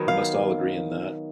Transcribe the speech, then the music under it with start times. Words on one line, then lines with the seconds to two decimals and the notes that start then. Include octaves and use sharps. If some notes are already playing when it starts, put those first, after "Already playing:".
We must all agree in that.
Already playing: D#3 F#3 B3
0.08 F5